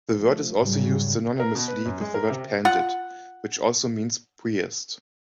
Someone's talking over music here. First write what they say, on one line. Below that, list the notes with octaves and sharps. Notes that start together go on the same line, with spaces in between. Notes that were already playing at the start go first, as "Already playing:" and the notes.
The word is also used synonymously with the word "pandit", which also means "priest".
F3 A3
G#2 C#3 F#3 G3
A#4
B2
B4
F#2
G#3
A#4
C3
F4 F#5